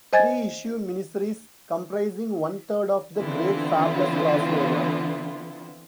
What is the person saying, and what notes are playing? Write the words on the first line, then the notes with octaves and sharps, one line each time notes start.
Three issue miniseries comprising one third of "The Great Fables Crossover".
C5 D#5 G#5 G#6 A6
D3 E3 B3 C4 E4 F4